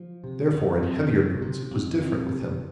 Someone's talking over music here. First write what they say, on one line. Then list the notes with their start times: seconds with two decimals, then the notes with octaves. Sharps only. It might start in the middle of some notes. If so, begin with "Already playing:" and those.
Therefore in heavier moods it was different with him.
Already playing: F3
0.24 C3
0.53 F2
0.82 F2
1.12 C3
1.42 C3
1.71 F2
2.01 F2
2.30 C3